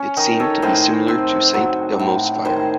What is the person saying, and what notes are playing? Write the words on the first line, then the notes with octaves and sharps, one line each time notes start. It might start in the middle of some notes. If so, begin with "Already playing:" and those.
It seemed to be similar to Saint Elmo's Fire.
Already playing: C#4
D#3 D#4
A4 C#5
A2 G#4 C5
C4
F#3
A2
D#3 G#4 C5